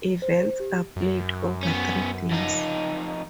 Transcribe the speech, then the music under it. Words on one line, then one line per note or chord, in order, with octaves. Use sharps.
Events are played over three days.
C5
G4
F#2
B3 C#4
F2 D#4